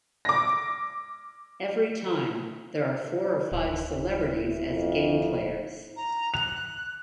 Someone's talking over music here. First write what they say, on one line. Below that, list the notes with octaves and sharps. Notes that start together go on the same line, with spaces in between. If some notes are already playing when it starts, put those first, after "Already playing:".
Every time, there are four or five celebrities as game players.
D6 A#6
D1
E4
F2
A#5
F#6 F7